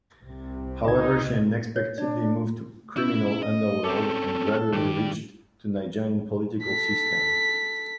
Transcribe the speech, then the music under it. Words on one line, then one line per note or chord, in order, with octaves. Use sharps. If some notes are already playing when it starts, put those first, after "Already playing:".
However she unexpectedly moved to criminal underworld and gradually reached to Nigerian political system.
C2 C3
D2 C#3 A#3 D#4 D#5 G#6
C#5
D4 D5
C#4 E4 E6 G6
D#5
C4 C#4 A4 D6
G2 D#3 G4
A4 B6